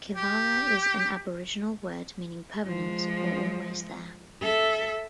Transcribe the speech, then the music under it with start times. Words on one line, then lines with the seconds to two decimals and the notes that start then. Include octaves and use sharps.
Killara is an Aboriginal word meaning "permanent" or "always there".
0.16 G4
2.66 F3 G#3
4.42 A4 E5